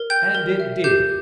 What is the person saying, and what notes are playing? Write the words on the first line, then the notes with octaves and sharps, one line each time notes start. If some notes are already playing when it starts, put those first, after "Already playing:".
And it did.
Already playing: A#4
G5 G6
A#4
E5
G4 G6